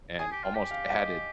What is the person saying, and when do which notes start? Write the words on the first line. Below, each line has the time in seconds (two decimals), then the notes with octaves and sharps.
and almost added,
0.19 G#4 G#5
0.31 G4
0.43 F4 G5
0.55 G4
0.71 F5
0.96 D#5